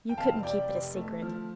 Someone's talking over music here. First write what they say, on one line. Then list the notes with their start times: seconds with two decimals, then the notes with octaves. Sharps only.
You couldn't keep it a secret.
0.09 G5
0.17 F1 F5 A5
0.43 C3 D5 G5
0.70 F1
0.96 A3
1.22 F3